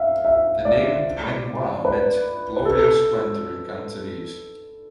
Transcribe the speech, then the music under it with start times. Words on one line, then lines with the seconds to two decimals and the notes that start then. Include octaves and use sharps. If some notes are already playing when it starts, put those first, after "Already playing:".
The name "Weng Wah" meant "glory and splendor" in Cantonese.
Already playing: E5 F5
0.25 E5
0.65 D5
1.85 B4
2.57 B4
2.65 A4